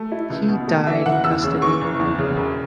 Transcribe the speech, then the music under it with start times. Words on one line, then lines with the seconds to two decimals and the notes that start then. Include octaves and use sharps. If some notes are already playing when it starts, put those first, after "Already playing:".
He died in custody.
Already playing: A3
0.12 E4
0.30 C#2
0.48 B2
0.68 A3
0.87 E3 E5
1.06 F#1 F#5
1.24 E2 E6
1.43 C#3 E6
1.62 E3 C#6
1.81 F#1
1.99 E2
2.19 C#3
2.37 E1